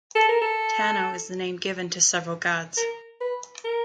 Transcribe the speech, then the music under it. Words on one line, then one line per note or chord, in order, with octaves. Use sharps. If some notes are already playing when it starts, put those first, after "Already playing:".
Tano is the name given to several gods.
A4
A#4
A4
A#4
B4
A#4